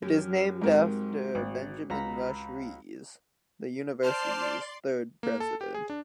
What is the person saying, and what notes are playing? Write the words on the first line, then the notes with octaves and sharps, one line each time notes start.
It is named after Benjamin Rush Rhees, the university's third president.
F#2 G4 F6
G#2 G#3 C4 F#4 A#4
G#1
C#2 F#5 A#5 B5
C5 D5 A5 C6 F6
A#3
A4
G4
G#4
D4